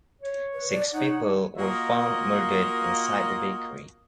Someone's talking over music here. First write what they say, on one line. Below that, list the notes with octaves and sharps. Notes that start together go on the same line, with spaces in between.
Six people were found murdered inside the bakery.
C#5
B4
D5
D#4 C#5 F#5
A#3 F4 F#4 A#4 D#5